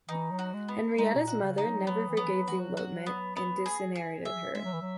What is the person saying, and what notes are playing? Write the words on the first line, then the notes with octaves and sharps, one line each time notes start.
Henrietta's mother never forgave the elopement, and disinherited her.
E3 D#4
F#3
F#4
G#3
B3
G#3 D#4
B2
A#2
F#4
C#3
D#4
F#3
F#3 B3
E3
F#3 B3
E3
F#3
E3 F#4
F#3
F#4
B3
B3
G#4
G#4
E5
G#3 E5
F#3
E3
F#3